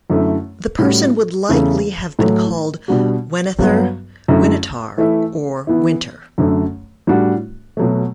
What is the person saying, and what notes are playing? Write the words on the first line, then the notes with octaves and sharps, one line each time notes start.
The person would likely have been called "Wenether", "Winitar" or "Winter".
F#2 D3 A3 E4
A2 G3 C#4 F#4
E2 C#3 E3 A3 E4
A2 F#3 A3
B2 G3 D4 F#4
G2 F#3 B3 F#4
F#2 D3 A3 E4
E3 A3 E4
E3 B3 E4
F#2 D3 A3
A2 G3 D4 F#4
B2 F#3 A3